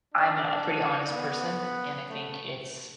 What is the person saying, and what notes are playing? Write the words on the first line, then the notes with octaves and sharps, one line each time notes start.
I'm an a pretty honest person, and I think it's
D4
B3
A3